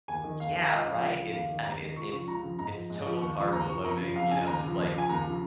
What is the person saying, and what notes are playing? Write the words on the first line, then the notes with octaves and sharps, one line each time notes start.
Yeah. Right? It's I mean, it's it's it's total carbo loading, you know, just like,
D#2 G#5
D#3
D#2 F5
D#3 F5
C#2 D#5
C#3 F3 F5
C#2
C#3 F3
D#2 F5
D#3
D#2 A#5
D#3
C#2 C#6
C#3 F3 C#6
C#2 A#5
C#3 F3
G#2 A#5
F3
G#2
F3
D#2 C#6
C#3 F3
D#2 A#5
C#3 F3 C#6
F2 A#5
C#3 F3
F2 F5
C#3 F3 G#5
D#2 A#5
C#3 F3
D#2
C#3 F3 G#5
D#2 A#5
C#3 F3